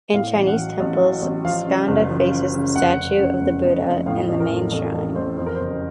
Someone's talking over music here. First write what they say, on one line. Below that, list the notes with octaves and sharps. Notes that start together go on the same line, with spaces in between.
In Chinese temples, Skanda faces the statue of the Buddha in the main shrine.
A2 F5
A1
F#5
F#3
A1
F#3
A1
F3 F5
C#3
F#1
F3
F3
C#3
F1 F#5
C#3
C#3
F1
F2
F2
A2 F5
A1
A#4
A2
A1 A4
A#4
A1 A4
A1 C5
F2 C5
A#4
C5
F#1